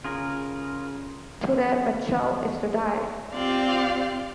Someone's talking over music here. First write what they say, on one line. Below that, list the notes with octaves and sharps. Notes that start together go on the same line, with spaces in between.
Today Mitchell is to die.
C#3 F4 G#4 A#4
C4 F4 G4 D5 F5 G5